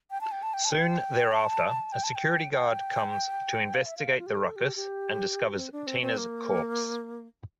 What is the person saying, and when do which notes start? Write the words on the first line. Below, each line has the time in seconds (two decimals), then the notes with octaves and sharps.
Soon thereafter, a security guard comes to investigate the ruckus and discovers Tina's corpse.
0.11 G5
0.21 A5
0.32 G5
0.43 A5
0.54 G5
0.65 A5
0.71 G5
1.32 A5
1.92 G5
2.04 A5
2.15 G5
2.53 G5
3.74 F5
3.86 E5
3.97 F5
4.18 F4
4.26 G4
4.35 A4
4.56 G4
4.76 G4
5.57 C4
5.72 D4
5.87 C4
6.02 C4
6.17 A#3